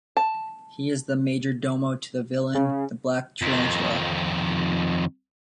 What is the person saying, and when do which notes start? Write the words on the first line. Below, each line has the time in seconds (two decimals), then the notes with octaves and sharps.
He is the majordomo to the villain the Black Tarantula.
0.17 A5
2.55 C#3
3.42 F2 D#3